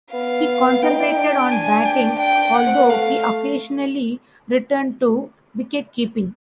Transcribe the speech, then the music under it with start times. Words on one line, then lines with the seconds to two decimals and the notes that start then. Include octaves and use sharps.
He concentrated on batting although he occasionally returned to wicketkeeping.
0.13 B3 F5
0.82 B3 G5
0.91 D#4
0.99 E4
1.11 D#4
1.16 D4
1.52 G#5
1.85 G5
2.19 G5
2.54 F#5
2.67 C4
2.77 B3
2.89 A3 F5